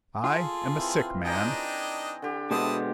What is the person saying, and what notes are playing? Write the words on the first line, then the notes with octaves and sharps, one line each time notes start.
I am a sick man....
F4 G#4 A4
E3 C4
D4 D#4 G#4 D#5 G5 A#5
D3 G4
B2 G#3 B3 E4 C5 A5 D#6